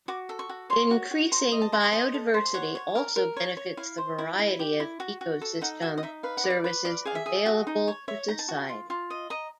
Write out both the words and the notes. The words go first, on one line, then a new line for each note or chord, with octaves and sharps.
Increasing biodiversity also benefits the variety of ecosystem services available to society.
F#4 D6
A4
C#6
F#4
C#5 C6
F#4
F#4
C5 A#5
D#5
A5
C5 A#5
A5
D#5
A4
C5
C#5 F#5
C#5
A#4
A#4
C#5
C#5
E4 F5
C5
E4
E4
G4
E4
F#4
F#4
A4
D#4 F#5
F#4 E5
D#5
D#4 E5
B4 F5
F#5
D5
F5
B4
D5 F5
G#4 F5
E5
G#4
F#4
D#4
C#5
C#5 E5
D#4 A#5
A5
F#4
F4
F4
D#5
D#5 A#5